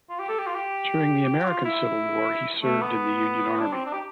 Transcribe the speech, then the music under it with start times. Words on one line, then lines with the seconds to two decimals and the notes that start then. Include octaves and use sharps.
During the American Civil War, he served in the Union Army.
0.10 F4
0.19 G4
0.29 A4
0.38 G4
0.47 F4
0.55 G4
1.26 G4
1.45 F4
1.65 E4
2.62 A3
2.82 B3
3.60 D4
3.73 C4
3.86 D4
3.93 G4